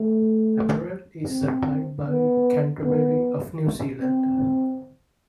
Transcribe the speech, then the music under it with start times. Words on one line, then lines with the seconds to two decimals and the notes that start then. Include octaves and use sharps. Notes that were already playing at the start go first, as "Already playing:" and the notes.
Apparel is supplied by Canterbury of New Zealand.
Already playing: A3
1.28 C4
2.06 B3
2.84 B3
4.01 C4